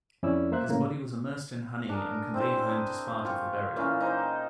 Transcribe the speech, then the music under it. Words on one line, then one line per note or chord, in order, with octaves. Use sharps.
His body was immersed in honey and conveyed home to Sparta for burial.
F2 C#4 E4 D5 E6
A#3 C5 E5 F#6
A2 C#3 A#3
D4 G#4 A#4
C4 E4 C5
D4 G#4
F4 G4 C#6
A#2 E3 C#4 F5
D#4 C5